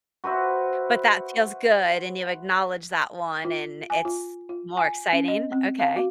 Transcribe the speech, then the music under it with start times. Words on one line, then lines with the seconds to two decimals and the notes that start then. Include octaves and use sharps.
But that feels good, and you acknowledge that one, and it's more exciting? Okay.
0.24 F#4 B4 C5 E5
3.45 F4
3.90 G#5
4.05 F4
4.49 F4
4.77 G#5
5.13 C#4
5.28 D#5
5.52 C4
5.80 F5
5.96 F#4